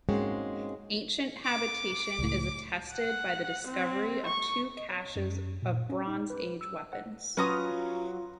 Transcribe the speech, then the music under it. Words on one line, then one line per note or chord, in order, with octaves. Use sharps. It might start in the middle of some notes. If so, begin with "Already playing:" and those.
Ancient habitation is attested by the discovery of two caches of Bronze Age weapons.
G#2 G#3 A#3 C4 C#4 F#4
D6
C#2 A2
F#5
C4
C#6
D#5
C#5
F#2
A#2
C#4
D#4
B4
E6
F#5
F#3 C#4 F4 B4 A#5 C6 D#6